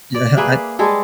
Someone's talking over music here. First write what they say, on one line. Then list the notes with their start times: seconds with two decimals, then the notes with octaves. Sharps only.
Yeah, I
0.15 D5
0.37 A#3 G#4 B4 E5
0.79 G3 G#3 G#4 A4